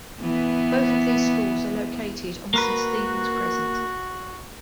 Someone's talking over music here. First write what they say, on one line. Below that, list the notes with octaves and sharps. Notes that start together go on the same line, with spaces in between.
Both of these schools are located on Saint Stephens Crescent.
E3 B3
A#3 F#4 A#4 B4